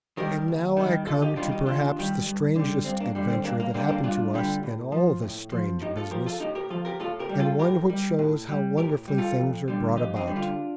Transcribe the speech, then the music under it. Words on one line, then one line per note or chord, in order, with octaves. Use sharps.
And now I come to perhaps the strangest adventure that happened to us in all this strange business, and one which shows how wonderfully things are brought about.
D#3 G3 G4 A#4
D#2
D#3 G3
D#2 F4 A4
D#4 G4
D#3 G3 D4 F4
D#4 G4
D#2 D4 F4
D#3 G3
G2
D3 G3
G2 C4
A#3 D4
D3 G3
C4
G2 A#3 D4
A#3
D3 G3 A#3
A#3 D4
G2 D4 F4
D3 G3
A2
F3
A2
F3
A2 D#4 G4
F4 A4
F3 G4 A#4
F4 A4
A2 D#4 G4
G4 A#4
F3 F4 A4
G4 A#4
A2 F4 A4
G4 A#4
G3
F4 A4
A2 G4 A#4
G3
A2
G3
A2 G4 A#4
G3
F4 A4
F2
D3 G3
F2 D#4 G4
C4 D#4
D3 G3
D4 F4